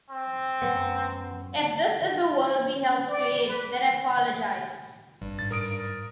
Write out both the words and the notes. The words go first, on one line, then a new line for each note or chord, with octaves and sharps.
If this is the world we helped create, then I apologise.
C4
F#2 B3
D5
B4
G#1 G2
G#2 A6
G#2 A#4 D#6 D7